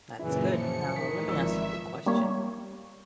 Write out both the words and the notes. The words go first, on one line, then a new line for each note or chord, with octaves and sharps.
That's good, now let me ask you a question.
F#2 A#2 C#3 E3 E4 G#4
F3 C#7
D#3 E3 B6
G#1 F3 E5 E6
G3 A#3 C#5